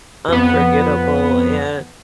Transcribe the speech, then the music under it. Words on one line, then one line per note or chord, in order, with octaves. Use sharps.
unforgettable, and
F2 B3